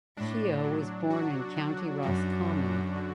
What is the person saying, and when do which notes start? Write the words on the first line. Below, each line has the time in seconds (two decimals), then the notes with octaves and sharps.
Keogh was born in County Roscommon.
0.17 A2 D4
0.64 F#3
1.10 F#4
1.56 D4
2.03 F#2 F#4
2.49 D3
2.96 D3